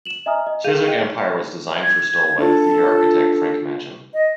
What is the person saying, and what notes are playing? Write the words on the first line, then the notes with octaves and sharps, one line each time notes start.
Chiswick Empire was designed for Stoll by the theatre architect Frank Matcham.
E7 F#7
D#5 E5 G#5 A#5 D#6 F6
D#5
G#4 F5 G6 D#7 F7
D#5 G5 D#7
G#6
D4 F4 A4
D#5